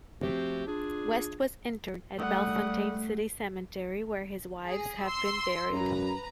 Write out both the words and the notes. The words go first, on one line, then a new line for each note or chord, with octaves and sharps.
West was interred at Bellefontaine City Cemetery, where his wives had been buried.
F3 A3 C4 F#4 G4
D4 F4 G#4
G3 A3 F#5 D#6
G#4
C6 E6
F#2 B4 A#5